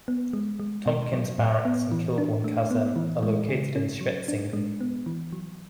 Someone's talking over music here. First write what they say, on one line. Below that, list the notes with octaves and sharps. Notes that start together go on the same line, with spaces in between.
Tompkins Barracks and Kilbourne Kaserne are located in Schwetzingen.
B3
G#3
G#3
B2
F#3
A2
B3
E3
D4
A3
B3
E3
G#3
C#3
C#4
F#3
D4
G#3
B3
E3
F#3